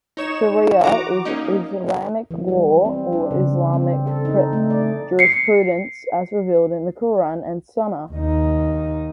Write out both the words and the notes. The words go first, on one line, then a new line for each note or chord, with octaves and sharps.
Shari'a is Islamic law or Islamic jurisprudence as revealed in the Qur'an and Sunna.
D#4 C#5 E7
E3 F#4 A#5 D6
A#3 C#4 D#4
E3
G3
C4
D4
C#3
C4
A4
D#4
A3
D5
C7 C#7
D#2 D#4